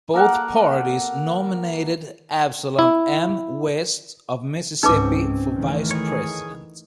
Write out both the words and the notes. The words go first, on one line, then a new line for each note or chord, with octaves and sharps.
Both parties nominated Absolom M. West of Mississippi for Vice President.
A#3 A4 A#4 F#5
E4
C#2 G#2 C4 C#4 D#4 B4 D6 E6
D#3 E3 A3
G#4 C#5